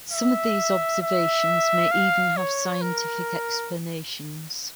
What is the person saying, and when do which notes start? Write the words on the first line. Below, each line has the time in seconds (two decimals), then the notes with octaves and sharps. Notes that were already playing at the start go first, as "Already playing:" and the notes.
Some of these observations may even have scientific explanations.
0.13 E5
1.02 E5
1.91 F5
2.37 C#5
2.81 A#4